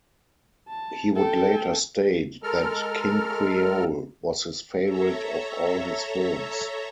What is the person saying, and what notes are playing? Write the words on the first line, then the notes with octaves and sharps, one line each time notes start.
He would later state that "King Creole" was his favorite of all his films.
A5
A4 G5
G#3 A4 A#4 F6
A4 C#5 E5 A#5